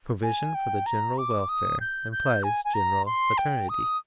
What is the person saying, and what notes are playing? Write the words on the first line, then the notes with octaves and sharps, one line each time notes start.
Provision for the general welfare implies general fraternity.
G#5
G5
A#5
D6
D#6
G6
G6
G#5
G#5
A#5
C6
G5
D#6